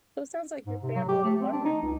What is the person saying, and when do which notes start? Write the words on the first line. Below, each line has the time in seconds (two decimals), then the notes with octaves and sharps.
So, it sounds like your family learned
0.67 G#2
0.83 C3
0.96 F#3
1.08 G4
1.24 A3
1.41 C4
1.52 D4
1.65 D#4
1.82 C#2